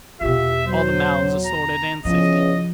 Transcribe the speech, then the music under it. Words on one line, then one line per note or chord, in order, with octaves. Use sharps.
All the mounds are sorted and sifted?'
E2 B2 F4 G4 E5
F#3 C5
A#5
E2 C#3 F3 D#5